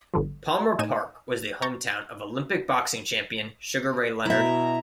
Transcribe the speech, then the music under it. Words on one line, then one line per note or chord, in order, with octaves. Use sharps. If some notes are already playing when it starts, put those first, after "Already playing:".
Palmer Park was the hometown of Olympic boxing champion Sugar Ray Leonard.
G1 G2 D3 F3
A2 A3 D#4 G#5 D#7 E7
A#5 C#6 G6 A6
B2 E4 E5 A#5